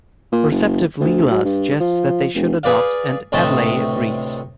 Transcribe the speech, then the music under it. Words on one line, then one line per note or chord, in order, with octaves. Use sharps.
A receptive Leela suggests that they should adopt, and Adlai agrees.
A#2
F#1
D2
F#3
G2
F3
F1
G#4 B4 D5 F5
D2 A2 C3 B4 D#5 A5